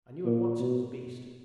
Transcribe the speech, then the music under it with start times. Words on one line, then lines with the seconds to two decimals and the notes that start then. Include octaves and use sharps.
I knew at once it was a beast.
0.26 A#2
0.59 B2